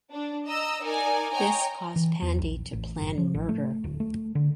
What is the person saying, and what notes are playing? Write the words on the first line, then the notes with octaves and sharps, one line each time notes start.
This caused Pandi to plan murder.
D4
D#5 A#5 E6
D#4 A#4 D5 G#5
C#5 D#5 G5 G#5 A#5
E3
E2
A#1
A1
F#1
F3
A1
A3
D1
A3
D3